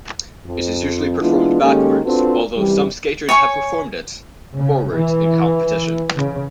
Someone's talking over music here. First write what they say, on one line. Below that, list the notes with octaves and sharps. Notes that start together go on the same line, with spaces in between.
It is usually performed backwards, although some skaters have performed it forwards in competition.
F2
E3 G#3 B3 D4 E4 F4
D#3 G#3 A#3 C#4 G4 A4
C4 D4 F4 F#4 A4 B4
F#2 C3 E3 G3
C#5 G#5 C#6
C#3
E3
C#3